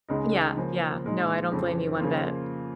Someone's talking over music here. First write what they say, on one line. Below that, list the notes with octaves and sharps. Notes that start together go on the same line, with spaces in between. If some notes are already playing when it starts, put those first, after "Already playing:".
Yeah, yeah, no, I don't blame you one bit.
C#2 C#3 G#3 D#4
C#3 F3 A#3
A#2 G#3 D#4
F2 C#3 F3
C#3 F3 A#3 F4